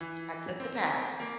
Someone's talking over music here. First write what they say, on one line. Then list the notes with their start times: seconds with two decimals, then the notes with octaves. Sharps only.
I took the path
0.01 E3
0.60 C4
1.20 A#3